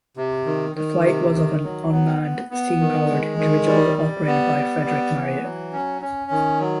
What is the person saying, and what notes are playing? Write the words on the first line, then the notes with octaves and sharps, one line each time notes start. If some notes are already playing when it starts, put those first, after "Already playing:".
The flight was of an unmanned, steam powered dirigible operated by Frederick Marriott.
C3
D#3
D#3
C3
D#3
F#3
B3
B3
B3
D#3
G#3
D#3
G3
G3
B3
G3
B3
E3
F#3
C#4
C#4
D#3
F#3